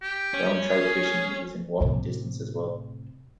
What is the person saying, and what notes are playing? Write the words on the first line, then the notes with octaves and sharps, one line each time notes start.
Brown trout fishing is within walking distance as well.
G4
C#4
G#4
A2 C3